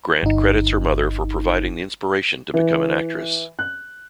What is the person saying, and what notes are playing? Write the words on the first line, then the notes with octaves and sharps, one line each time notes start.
Grant credits her mother for providing the inspiration to become an actress.
G1 D#4
E3
F#6